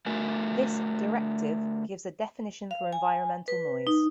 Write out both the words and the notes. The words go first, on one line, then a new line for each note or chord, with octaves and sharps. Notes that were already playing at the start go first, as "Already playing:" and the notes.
This directive gives a definition for environmental noise.
D3 A3 F#4 A#4 G#5
F5
G#5
B4
D#4